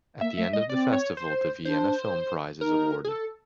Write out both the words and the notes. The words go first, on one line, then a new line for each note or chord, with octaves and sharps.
At the end of the festival, the "Vienna Film Prize" is awarded.
A#3 E5
A3 E5
G#3 D#5
C4 D5
C#5
C5
D4 C5
D#4 A#4
G#4
A4